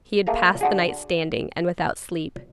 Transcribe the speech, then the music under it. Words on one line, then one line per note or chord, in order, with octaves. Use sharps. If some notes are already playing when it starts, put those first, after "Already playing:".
He had passed the night standing, and without sleep.
A3 A#3 G#4 A#5
D3 F#4 G#4